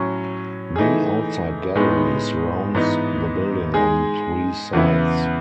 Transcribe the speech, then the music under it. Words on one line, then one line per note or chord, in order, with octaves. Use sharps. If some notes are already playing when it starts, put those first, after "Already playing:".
The outside gallery surrounds the building on three sides.
Already playing: A2 F#3 C#4
E3 A3 D#4 G#4
A2 G#3 B3 D#4
G#2 E3 B3 D#4
G#3 D#4 G#4
E2 C#3 E3 B3 E4